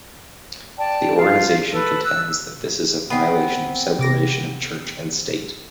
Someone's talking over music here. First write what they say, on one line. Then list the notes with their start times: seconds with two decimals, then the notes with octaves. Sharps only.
The organization contends that this is a violation of separation of church and state.
0.77 D5 G5 A5
1.17 F4 F5
1.72 A4 B4
2.03 E6 F#6
3.10 B3 C4 D#6 C7
3.99 C3 D6 A#6